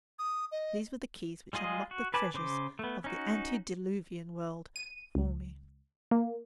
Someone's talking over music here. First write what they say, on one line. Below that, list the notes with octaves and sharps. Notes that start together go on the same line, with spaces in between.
These were the keys which unlocked the treasures of the antediluvian world for me.
D#6
D#5
G3 G#3 F4 G#4 D#5
F#4
B4 G#5 A5 B5 D6
C#3 C5 D6
A3 B3
C#4 D#4 F#4
D#7
C#2
A#3